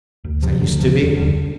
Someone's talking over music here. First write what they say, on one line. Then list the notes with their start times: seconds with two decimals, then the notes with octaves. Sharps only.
"As I used to be?"
0.24 D2
0.42 C3 F3
0.61 D2
0.79 C3 F3
0.98 E1
1.15 D#2 D3 G3